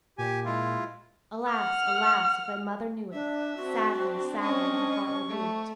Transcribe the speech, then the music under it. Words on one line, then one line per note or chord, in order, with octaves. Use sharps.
"Alas! alas! if thy mother knew it, Sadly, sadly her heart would rue it."
A#2 G4 G#5
G#3 E4 F4
F#5 F6
D4 E5
C4 D4 F#4
C#4 D#5 C#6
A3